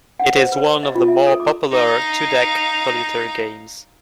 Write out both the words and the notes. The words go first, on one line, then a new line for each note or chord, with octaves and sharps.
It is one of the more popular two-deck solitaire games.
F#5
C5
B4
D#5
F4
E5
A4
D6
D#4 F5